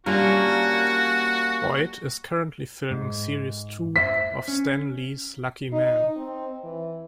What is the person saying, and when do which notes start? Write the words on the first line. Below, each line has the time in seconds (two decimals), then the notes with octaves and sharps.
Boyd is currently filming series two of Stan Lee's Lucky Man.
0.06 G3 A#3 C#4 D4 F4 F#4 A#4
2.90 G#2
3.96 C5 E5 B6
4.48 C#4
5.72 D#4
6.16 C4
6.64 E3